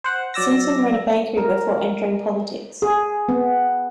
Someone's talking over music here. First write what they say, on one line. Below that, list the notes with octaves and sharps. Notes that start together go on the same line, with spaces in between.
Simpson ran a bakery before entering politics.
C5 F#5
F#3 D5 E6 A#6
A#4
G#4
B3